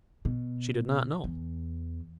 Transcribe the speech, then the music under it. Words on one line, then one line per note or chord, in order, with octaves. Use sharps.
She did not know.
B2
E2